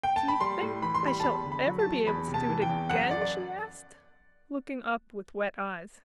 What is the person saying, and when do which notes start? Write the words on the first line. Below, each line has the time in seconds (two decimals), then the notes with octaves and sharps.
"Do you think I shall ever be able to do it again?" she asked, looking up with wet eyes.
0.03 G5
0.16 A5
0.28 B5
0.40 G3 C6
0.62 A2
0.82 E3 B5
0.95 C6
1.03 G3 B5
1.20 A5
1.24 E2 B5
1.45 D3
1.52 B5
1.66 F#3
1.79 A5
1.86 E2
2.07 E2 B5
2.28 C3
2.34 A5
2.49 E3
2.62 G5
2.69 E2
2.90 F#2 F#5
3.11 F#2 D5
3.21 D5